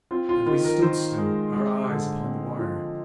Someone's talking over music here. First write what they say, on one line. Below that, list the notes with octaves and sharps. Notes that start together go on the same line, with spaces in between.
And we stood still, our eyes upon the wire.
C4 F4
F4
D#3 F4
A#4
D#3 C5
G#3
G#3
D3
C4
F3